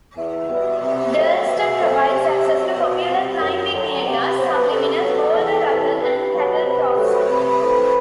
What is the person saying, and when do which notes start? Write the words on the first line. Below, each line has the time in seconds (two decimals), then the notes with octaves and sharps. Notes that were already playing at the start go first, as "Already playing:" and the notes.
Durlston provides access to popular climbing areas, Subliminal, Boulder Ruckle and Cattle Troughs.
0.17 E2 E5
0.49 B2 G3 B3
0.81 C3
1.14 F#3 A3 C4
1.46 B2 E5
1.79 F#3 A3 C4
2.11 C3
2.43 F#3 C4
2.76 B2
3.08 G3 C4
3.40 F#2
3.73 D3 F#3
4.05 C3 G4
4.21 B4
4.37 F#3 B3 C5
4.53 B4
4.69 C3 A4
5.02 F#3 B3
5.34 E2
5.66 C3 E3
5.99 G2 B4
6.32 F#3 B3
6.63 C3
6.96 F#3 A3 C4
7.28 C3
7.61 E3 A3 C4